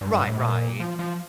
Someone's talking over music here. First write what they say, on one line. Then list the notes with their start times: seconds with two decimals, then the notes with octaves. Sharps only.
Right, right.
0.01 G2
0.14 G2
0.27 A2
0.40 A#2
0.80 F3
0.99 F3